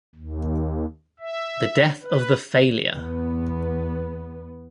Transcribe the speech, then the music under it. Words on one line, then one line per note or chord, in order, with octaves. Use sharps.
The death of the failure!
D#2
E5
B4
E2 B3